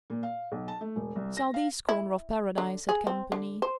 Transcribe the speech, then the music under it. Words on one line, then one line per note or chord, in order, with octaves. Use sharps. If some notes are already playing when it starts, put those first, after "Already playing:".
"Southeast corner of Paradise," said Campany.
A#2
F5
B1
A5
A3
E1
C2
A#6
F5
E4
D3
G#4
C4
D3
C5